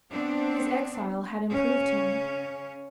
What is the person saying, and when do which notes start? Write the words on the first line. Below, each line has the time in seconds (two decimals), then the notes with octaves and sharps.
His exile had improved him.
0.11 B3 C4 D4
1.50 C#3 C#4